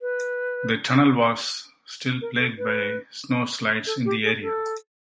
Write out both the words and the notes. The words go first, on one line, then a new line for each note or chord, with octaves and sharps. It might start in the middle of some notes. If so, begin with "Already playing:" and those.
The tunnel was still plagued by snow slides in the area.
B4
A#4
A4
B4
A4
G4
G#4
A4